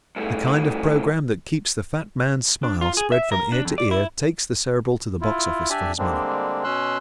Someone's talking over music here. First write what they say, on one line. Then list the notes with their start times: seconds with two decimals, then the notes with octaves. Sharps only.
The kind of program that keeps the fat man's smile spread from ear to ear takes the Cerebral to the box office for his money.
0.16 G2 A3
2.63 D4
2.81 F4
2.97 G#4
3.12 E5
3.32 A#4
3.52 D4
3.65 F2
3.78 D5
3.91 E4
5.21 E4 F4
5.70 D4 G4 D5 E5 G#5
5.98 D3 G3 G#3 A#3 C4 D4
6.64 B2 C#4 C6 E6 F#6